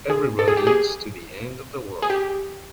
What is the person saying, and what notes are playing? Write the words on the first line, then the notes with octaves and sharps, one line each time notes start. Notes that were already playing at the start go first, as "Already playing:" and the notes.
Every road leads to the end of the world.
G#4
A4
G#4
G4
G#4
G#4
G4